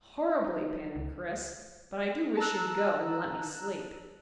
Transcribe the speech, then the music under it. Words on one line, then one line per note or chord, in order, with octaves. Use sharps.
"Horribly," panted Chris; "but I do wish you'd go, and let me sleep."
D#4
C#2
A5 A#5 E6 F#6